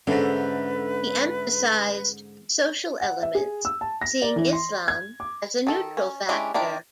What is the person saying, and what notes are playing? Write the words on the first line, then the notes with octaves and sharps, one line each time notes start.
He emphasized social elements, seeing Islam as a neutral factor.
G#2 D3 C#4 D4 A4 B4 E5
F#5
E5
G#4
E6
A5
A#6
D5
E3
C6
G#6
D6
D#3 A4
C#4
G#3 C#4 D4 E4 G4
D#3 D4 E4 A#4 G5